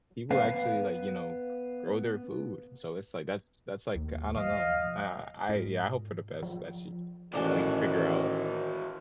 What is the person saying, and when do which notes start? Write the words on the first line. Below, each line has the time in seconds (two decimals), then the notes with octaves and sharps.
people actually, like, you know, grow their food, so it's, like, that's that's, like I don't know. I I yeah, hope for the best that she you know, you figure out
0.31 B3 B4 F5
3.96 D#2
4.37 F3 D#5 F5
5.49 G#2
6.43 F3
7.33 A1 D#3 E3 D4 F#4 A4 G#5